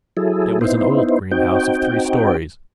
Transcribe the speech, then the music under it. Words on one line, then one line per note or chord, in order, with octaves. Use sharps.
It was an old green house of three storeys.
F#3 E4 G#4 A4
B3 D#4 E4 C5
C4 D#4 F#4 G5